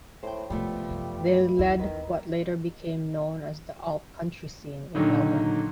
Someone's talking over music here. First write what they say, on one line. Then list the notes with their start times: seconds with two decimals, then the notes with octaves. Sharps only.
They led what later became known as the alt-country scene in Melbourne.
0.23 A2 C5 G5
0.50 G#2 C3 F3 G3 A3 B3
0.90 F#2
1.59 E2 E4
1.79 D#3 B4
4.95 A#2 D3 D#3 F#3 D#4